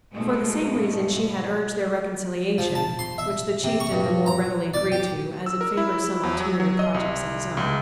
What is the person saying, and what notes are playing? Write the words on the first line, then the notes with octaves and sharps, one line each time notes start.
For the same reason she had urged their reconciliation, which the Chieftain the more readily agreed to as it favoured some ulterior projects of his own.
G#2 B2 F3 G#3 A3
F3
A5
C6
E5
C3
C#6
G2
A#5
D5
G4
E6
A#4
E4
E2
F#3
F#3
D#5
C2
C#2